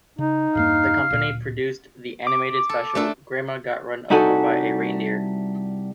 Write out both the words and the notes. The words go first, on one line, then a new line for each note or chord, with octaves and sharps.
The company produced the animated special "Grandma Got Run Over by a Reindeer".
C#3 D#4
E2 G2 A#3 F5
D1 A#2
D6
A4
A3 D4 A4
C2 G3 D#4 F#4 A4 G#5